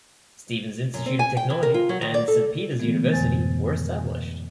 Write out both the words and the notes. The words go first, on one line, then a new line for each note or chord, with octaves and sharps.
Stevens Institute of Technology and Saint Peter's University were established.
F#2
C4
G#5
G5
E3
A#4
F4
F#3
D#3
D5
A4
D3 E3 G#3 A3 B3
F2 G#2 B2 C5 G#5 A6